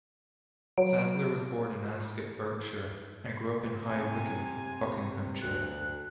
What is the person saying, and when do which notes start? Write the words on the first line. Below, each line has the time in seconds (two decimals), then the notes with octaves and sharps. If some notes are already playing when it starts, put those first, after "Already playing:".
Sadler was born in Ascot, Berkshire, and grew up in High Wycombe, Buckinghamshire.
0.77 F#3 D7
3.84 C3 G#5
5.41 D2 F#6